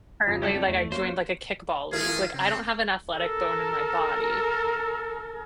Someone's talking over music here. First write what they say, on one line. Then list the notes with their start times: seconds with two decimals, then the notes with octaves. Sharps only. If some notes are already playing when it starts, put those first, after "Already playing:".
currently, like, I joined, like, a kickball league, like, I don't have an athletic bone in my body,
0.27 F2 C#3
0.42 F#3 G3 E4 G4 A4 D5
0.55 C4
0.68 E2 A3
0.92 A#3 C#4 F#4 C5
1.93 E3 A3 F4 G#4 A#4
2.34 C#3 C4
3.16 A4 A#4